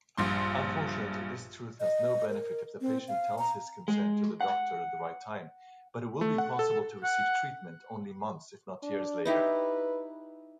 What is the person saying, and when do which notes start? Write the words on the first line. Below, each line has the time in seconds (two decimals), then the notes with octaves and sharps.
Unfortunately, this truth has no benefit if the patient tells his concern to the doctor at the right time, but it will be possible to receive treatment only months, if not years later.
0.17 A#1 G2 C6
1.80 D#5
2.29 A#4
2.81 C4
3.08 F5
3.38 A#5
3.88 G#3
4.41 F#5
6.21 A3
6.38 F#5
6.59 A4
7.03 F#5
8.83 D4
9.26 D#4 E4 G4 B4